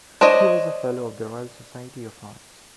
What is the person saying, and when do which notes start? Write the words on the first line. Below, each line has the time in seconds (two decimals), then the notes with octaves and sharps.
He was a Fellow of the Royal Society of Arts.
0.21 D4 C5 C#5 D#5